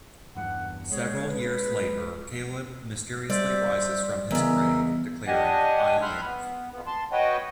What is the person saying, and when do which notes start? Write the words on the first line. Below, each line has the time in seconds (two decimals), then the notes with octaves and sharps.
Several years later, Caleb mysteriously rises from his grave, declaring, I live...
0.36 E2 G2 F#5
0.91 G#3 C#5
1.29 B4
3.30 G3 C5 D5 E5
4.31 G#2 C#3 E3 B3 A#4 E5
5.27 D4 G4 D#5 F#5 G#5
6.02 E5 F#5 B5 C6 F6 F#6
6.25 B3
6.72 F2 B3
6.87 A5 C6
7.12 F#4 B4 C#5 D#5 F#5 G5